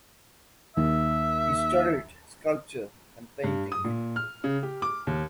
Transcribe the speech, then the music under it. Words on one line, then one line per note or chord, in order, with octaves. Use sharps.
He studied sculpture and painting.
D#2 E5
G2
D#6
A#2
F6
C#3
G4
D6
D#2